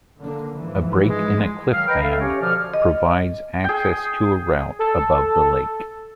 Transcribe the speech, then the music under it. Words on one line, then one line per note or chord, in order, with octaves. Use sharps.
A break in a cliff band provides access to a route above the lake.
D3 A#3
G#2 E3 F3
G#3
D#3 F#3 F5 F6
B4 D#5 G5 A#5 B5
A4 E5 F5
C#4 G4 C#5
B2 D3 F3 D5 F6
D#5
G#4 G5
A4